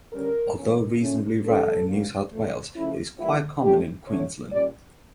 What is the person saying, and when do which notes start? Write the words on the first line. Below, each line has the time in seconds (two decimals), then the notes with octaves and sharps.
Although reasonably rae in New south Wales it is quite common in Queensland.
0.13 D3 G3 C#4 A#4
0.56 E3 A#3 C#4
1.00 A#2 A3 C#4
1.44 D3 G3 A#3 C#4 A4
1.88 A2 G3 A#3
2.32 C#3 F3 A3
2.75 C#3 F3 A3 C#4 E4
3.19 E3 G3 A#3 E4
3.63 D3 A3 C#4 G4
4.07 D3 A3 C#4 C#5
4.51 A#2 G3 C#4 D5